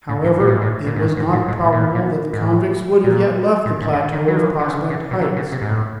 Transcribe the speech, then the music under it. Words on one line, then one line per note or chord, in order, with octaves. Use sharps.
However, it was not probable that the convicts would have yet left the plateau of Prospect Heights.
A2
G#2
A#2
A2
G#2
A2
A#2
G#2
A2
G#2
A2
G#2
A2
A#2
A2
A#2
G#2
A2
A#2
A2
G#2
D#3
D3
D#3
F#3
F3
E3
D3
C#3
D3
C#3
B2
D3
C#3
C3
G#2
A2